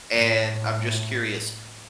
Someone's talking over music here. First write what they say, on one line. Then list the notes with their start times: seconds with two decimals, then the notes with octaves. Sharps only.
and I'm just curious,
0.16 A2